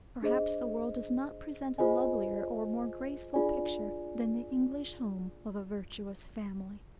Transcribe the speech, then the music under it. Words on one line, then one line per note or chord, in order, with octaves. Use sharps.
Perhaps the world does not present a lovelier or more graceful picture than the English home of a virtuous family.
D4 G#4 C5 D#5
F4 G#4 C5 D#5 G#5
D4 F4 G#4 D5 G#5